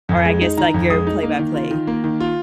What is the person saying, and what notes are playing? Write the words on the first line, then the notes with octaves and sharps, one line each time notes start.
Or I guess like your play-by-play.
F2
G#3
D#4
D#3 A#5
F2
G#3 D#6
D#4
A#3
D#3
F4
D#3
A#3
D#3
F4